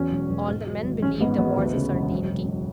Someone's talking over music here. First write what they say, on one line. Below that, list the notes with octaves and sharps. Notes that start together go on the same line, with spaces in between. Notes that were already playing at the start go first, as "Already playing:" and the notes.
All the men believe the war's a certainty.'
Already playing: E2 F#3 C#4
E1
E1
G#2
F#3
G#1
A1 C#4
G#2 B3
A1 B3
D2
C#3
E1
F#1
F#1